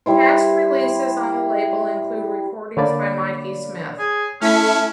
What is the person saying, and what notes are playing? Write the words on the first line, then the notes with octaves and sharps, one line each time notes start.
Past releases on the label include recordings by Mikey Smith.
G3 E4 C5
D3 A#3 C#5 D5 B5
G#4
A3 C#4 E4 A4 F6 B6